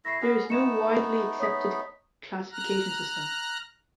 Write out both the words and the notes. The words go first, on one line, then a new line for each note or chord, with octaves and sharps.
There is no widely accepted classification system.
A3 E4 E5 A#6 C7
B3 C#4 F#4
A3 B3 D#4 C#7 E7
C#5 D#6 B6
A#5 F6 F#6 A#6